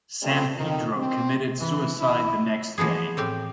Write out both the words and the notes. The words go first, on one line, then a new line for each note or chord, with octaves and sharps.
Sampedro committed suicide the next day.
F3 G3 A3 C4
F2 D#3
C4
E3
E4
E3 F3 B3 G#4
A2 C4 G4